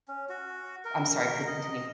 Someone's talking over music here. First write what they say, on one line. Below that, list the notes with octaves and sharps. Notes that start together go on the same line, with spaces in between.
I'm sorry, please continue.
C#4
F#4
A#4
A#4
D#5